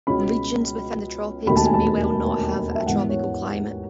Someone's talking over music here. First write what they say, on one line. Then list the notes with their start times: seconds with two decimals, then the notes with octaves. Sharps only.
Regions within the tropics may well not have a tropical climate.
0.07 C#2 B2 G#3 C#4 B5
1.46 E1 D#2 D#3 A3 B5
1.57 A5
1.65 G#5
1.74 A5
2.75 E5
2.86 G#2 E3 B3 F#5
3.09 C#5